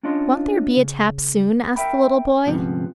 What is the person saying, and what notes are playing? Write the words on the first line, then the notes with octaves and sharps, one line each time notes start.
"Won't there be a tap soon?" asked the little boy.
C#4 D4 F4 C#5 D#5 C6
C#3
A#4 E5 G5 B5
D2 G#2 C3 F3 B3 C#4